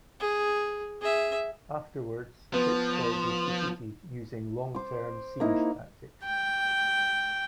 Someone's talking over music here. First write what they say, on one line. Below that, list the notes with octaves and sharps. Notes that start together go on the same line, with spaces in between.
Afterwards Vicksburg was defeated using long term siege tactics.
G#4
G#4 E5
F3 B3
C5 D6
A#3 D#4 E4
G5